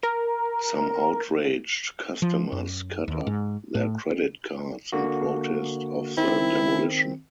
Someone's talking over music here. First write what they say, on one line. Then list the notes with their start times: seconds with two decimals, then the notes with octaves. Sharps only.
Some outraged customers cut up their credit cards in protest of the demolition.
0.03 A#4
2.22 F3
2.52 F#2
3.08 D#2
3.27 G#2
3.75 A2
4.92 D3 A#3 F#4
6.17 D#3 C4 E4